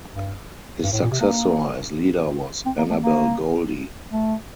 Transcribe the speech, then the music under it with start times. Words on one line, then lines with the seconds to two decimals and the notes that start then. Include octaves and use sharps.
His successor as leader was Annabel Goldie.
0.12 G2
0.84 G2
0.93 A2
1.02 A#2
1.11 C3
1.21 A#3
2.66 C4
2.78 A#3
2.90 A3
3.03 A#3
4.12 A3